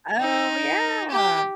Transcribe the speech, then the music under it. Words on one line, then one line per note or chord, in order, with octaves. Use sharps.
Oh, yeah.
D#4
G4